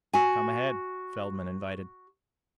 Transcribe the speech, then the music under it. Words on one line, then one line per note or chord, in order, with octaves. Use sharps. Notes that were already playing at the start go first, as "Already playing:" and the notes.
"Come ahead," Feldman invited.
F#4 G#5